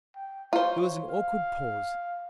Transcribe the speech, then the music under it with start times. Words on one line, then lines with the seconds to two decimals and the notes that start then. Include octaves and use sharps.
There was an awkward pause.
0.16 G5
0.53 F4 C5 C#5
1.10 F5